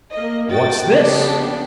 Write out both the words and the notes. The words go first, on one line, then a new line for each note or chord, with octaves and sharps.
"What's this?"
A#3 D#5
F#4 G5 A6
C#3 F3 B3 D4 G4 A4